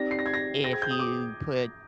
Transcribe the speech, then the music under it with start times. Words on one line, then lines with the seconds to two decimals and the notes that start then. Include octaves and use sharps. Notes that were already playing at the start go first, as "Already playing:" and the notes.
if you put
Already playing: C4 D#4 G4 D5 A#6
0.11 C7
0.19 A#6
0.26 G#6
0.34 A#6
0.64 G#4 C5 G5 A#6
0.73 G#6
0.82 G6
0.91 D#6
0.99 D6